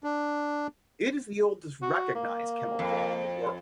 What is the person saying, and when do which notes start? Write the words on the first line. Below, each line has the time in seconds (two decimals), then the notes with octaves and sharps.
It is the oldest recognised kennel club in the world.
0.04 D4
1.82 F#4
2.15 A#3
2.79 F2